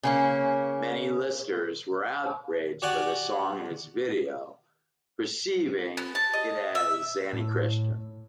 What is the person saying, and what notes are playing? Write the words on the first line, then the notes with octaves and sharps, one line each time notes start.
Many listeners were outraged by the song and its video, perceiving it as anti-Christian.
C#3 A#3 C#4
F#4 G4 D5 F#5 G#5 C#6
B3
A5
D#5
E5
A2